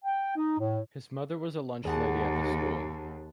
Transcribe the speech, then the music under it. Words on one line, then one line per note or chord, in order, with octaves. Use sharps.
His mother was a lunch lady at the school.
G5
D#4
A2
D#2 G#4 F#5 A5